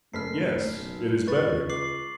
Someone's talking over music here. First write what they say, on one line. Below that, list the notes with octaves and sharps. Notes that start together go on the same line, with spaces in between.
"Yes, it is better."
F#1 A3 F6 B6 C7
B1
C#2 B4 C#6 A6
D6 C7 F#7